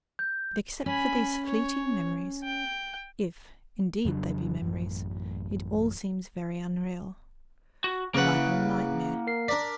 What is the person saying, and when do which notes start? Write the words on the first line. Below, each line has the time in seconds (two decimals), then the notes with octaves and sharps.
But, except for these fleeting memories, if, indeed, they be memories, it all seems very unreal, like a nightmare.
0.19 G6
0.86 C#4 G#5 B5
1.46 C#5
2.44 G5
4.05 F2 C#3 F#3 D4
4.62 A1 F#2
7.84 F#4
8.14 C#3 A#3 B4 F#5
8.35 E4
9.27 A#4 C7
9.48 D4 A#4 D5 B6